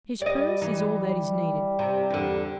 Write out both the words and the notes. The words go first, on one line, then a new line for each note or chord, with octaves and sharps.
His purse is all that is needed.
G3 D5 D#5
E3
C3
E2 D3